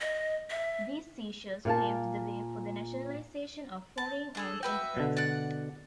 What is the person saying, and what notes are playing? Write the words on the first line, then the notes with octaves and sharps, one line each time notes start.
These seizures paved the way for the nationalization of foreign-owned enterprises.
D#5
E5
A#2 F5 A5
A5
D4 G#4 A4
F#4 B4 E5 G5
B2 D3
D5 F#5 F#6